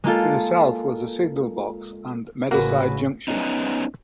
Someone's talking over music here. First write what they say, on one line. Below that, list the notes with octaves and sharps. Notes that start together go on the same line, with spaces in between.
To the south was the signal box and Meadowside Junction.
G#3 A#3 F4 A4
A1 A2 C#3 A#3 F#4 B4
B3 C#4 D#4